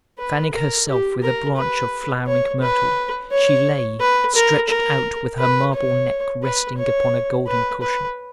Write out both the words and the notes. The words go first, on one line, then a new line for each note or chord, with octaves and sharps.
Fanning herself with a branch of flowering myrtle, she lay, stretched out with her marble neck resting upon a golden cushion.
B4
A#4
G4
A#4
B4
C#5
B4
C#5
B4
A#4
A#4
B4
C#5
B4
C#5
B4
B4